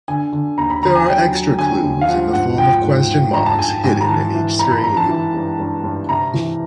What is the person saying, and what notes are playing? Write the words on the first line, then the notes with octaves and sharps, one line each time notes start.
There are extra clues in the form of question marks hidden in each screen.
D3 G#5
D3
D#2 A#5
B5
D3 A#5
G#5
F#3 G5
F#3
D3 G#5
D#2
F5
F3 F#5
G#2 F#5
F3 G5
G#2
F3
G#2 A#5
A5
G#2 G#5
G#2 G#5
A#5
E3 A5
E3
G2 A#5
B5
G2 A#5
A5
E3
G2
G2
G2
C3 A#5
E3